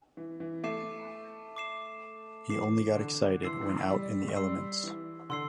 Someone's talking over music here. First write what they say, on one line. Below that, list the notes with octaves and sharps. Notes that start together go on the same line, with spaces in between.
He only got excited when out in the elements.
E3
E3
A3 D6 C7 E7
D6 C7 E7
E3 D6 C7 E7
D3
E3 C6 E6 C7
G3
G3 C6 E6 C7
E3
D3 C6 E6 C7